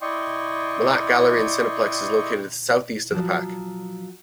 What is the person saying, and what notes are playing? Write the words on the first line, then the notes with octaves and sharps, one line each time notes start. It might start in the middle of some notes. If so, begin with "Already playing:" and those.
Mellat Gallery and Cineplex is located to the southeast of the park.
E4 D5 D#5 G5 C6 C#6
F3 F#3